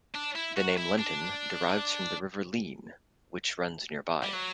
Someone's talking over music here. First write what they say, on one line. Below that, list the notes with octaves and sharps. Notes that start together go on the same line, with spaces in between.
The name "Lenton" derives from the River Leen, which runs nearby.
D4
E4
F#4
E4
D4
G3
F#3